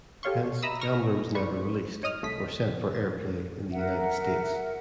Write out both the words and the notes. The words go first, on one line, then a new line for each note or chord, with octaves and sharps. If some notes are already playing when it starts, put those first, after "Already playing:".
Hence "Gambler" was never released, or sent for airplay in the United States.
G4 A4 C#5 F5 C6 C#6
D#5 E5 A#5 B5 D#6 E6
C#6 F6 A#6
B4 C5 D5 C#6
C#5 D#5 D#6 F6
C2 A3 D#5 B6
A#4 E5 F#5